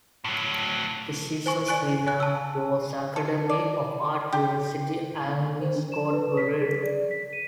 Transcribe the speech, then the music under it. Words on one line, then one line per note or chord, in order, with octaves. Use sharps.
The season's winner was Academy of Art University alumni Scott Borrero.
A2 F#3
C5 G#5 C#6
D5 G#5 C#6 F#6 D7
G#5 F#6
A5 E6
A4
D5
G4
C5
D4
E7
B4
B6
G#4
D5
B6
D#7